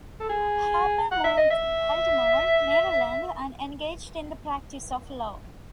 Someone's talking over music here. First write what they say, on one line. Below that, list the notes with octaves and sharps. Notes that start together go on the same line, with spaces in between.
Harper moved to Baltimore, Maryland, and engaged in the practice of law.
A4
G#4
F#5
E5
D#5
E5